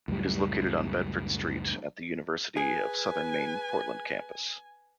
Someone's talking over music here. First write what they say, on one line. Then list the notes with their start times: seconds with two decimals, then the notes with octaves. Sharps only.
It is located on Bedford Street at the University of Southern Maine Portland Campus.
0.08 C#2 F#2 A2 G3
2.57 G#4 B4 G#5